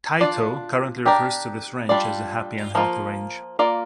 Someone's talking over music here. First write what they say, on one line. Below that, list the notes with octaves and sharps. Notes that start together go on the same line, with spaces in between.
Tayto currently refers to this range as the "Happy and Healthy range".
D4 F4 D5
D4 G4 A#4 D5
G3 D4 F4 D5
F3 A#3 F4
A#3 F4 D5